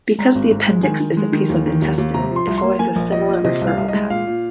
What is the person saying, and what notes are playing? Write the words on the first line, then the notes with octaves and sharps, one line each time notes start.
Because the appendix is a piece of intestine, it follows a similar referral pattern.
G#3 A#5
G#1
G#2
G#3
D#3 G#5
D#3
G#3
D#3
D#2
D#3
D#2
D#2
C3 A#5
F3
C6
C2
C6
A#3
A#3 G#5
A#1
F3 D#5
A#2
C3 D#5
C2
F5
C2
D#5
G#3
A#2 F5
A#2